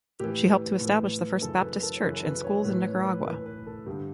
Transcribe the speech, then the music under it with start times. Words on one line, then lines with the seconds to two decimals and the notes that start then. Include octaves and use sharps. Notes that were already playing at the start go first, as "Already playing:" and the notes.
She helped to establish the first Baptist church and schools in Nicaragua.
0.20 A2 E3 G4
0.81 A2 E3
1.42 F#2 C#3 E3 A4
1.62 B4
1.83 A4
1.96 C#5
2.03 F#2 C#3 E3 B4
2.16 A4
2.23 B4
2.44 C#5
2.65 A2 E3 B4
2.84 C#5
3.05 B4
3.25 A2 E3 B4
3.46 B4
3.66 A4
3.86 G2 D3 G4